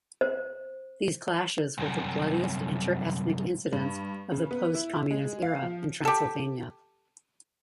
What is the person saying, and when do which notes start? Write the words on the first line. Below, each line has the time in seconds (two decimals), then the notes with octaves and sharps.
These clashes were the bloodiest inter-ethnic incidents of the post-communist era in Transylvania.
0.21 C5
1.78 C2 F#2
3.73 G2
4.32 C#3
4.51 B3
4.75 E4
5.11 G#3
5.42 F5
5.62 F3
6.05 G4 A4